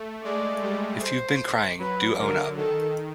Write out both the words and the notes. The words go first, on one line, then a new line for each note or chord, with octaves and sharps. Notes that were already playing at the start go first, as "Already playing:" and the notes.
If you’ve been crying do own up.
Already playing: A3
G#3 D5
G3
C5
F#3 B4
D3 A#4
D#3 A4